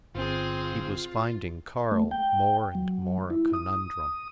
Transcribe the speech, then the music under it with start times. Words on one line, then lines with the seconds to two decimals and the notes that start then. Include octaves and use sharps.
He was finding Carl more and more a conundrum.
0.15 G1 C4 F4 G#4
1.91 A3
2.11 G5
2.75 F#3
3.30 E4
3.53 D#6